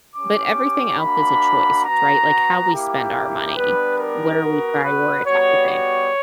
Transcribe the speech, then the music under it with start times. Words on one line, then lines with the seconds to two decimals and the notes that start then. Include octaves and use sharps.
but everything else is a choice, right, like how we spend our money. What are we prioritizing?
0.16 C#4 G4 D6
1.00 A#3 D4 F#4 B5
1.85 B3 F#4 A#5
2.71 A#3 E4 G4
3.56 G3 B3 D4 B4
3.99 A#4
4.41 B3 F#4
4.84 B4
5.26 G3 B3 F#4 C#5
5.69 C#5